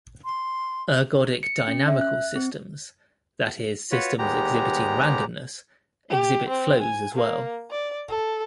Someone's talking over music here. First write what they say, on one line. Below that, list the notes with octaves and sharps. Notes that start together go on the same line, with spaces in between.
Ergodic dynamical systems, that is, systems exhibiting randomness, exhibit flows as well.
C6
C#7
C#4
E5
F#6
C4
F4 F#4 B4 C#5
D#2 G3 G#3 B3 G4 A#5
G4
C4
G#5
A#3
D5
A4